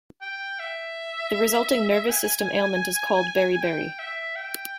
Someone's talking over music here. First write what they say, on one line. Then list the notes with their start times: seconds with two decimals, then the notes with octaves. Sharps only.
The resulting nervous system ailment is called beriberi.
0.21 G5
0.59 E5
2.10 G#5
3.61 G5
3.99 E5
4.36 G5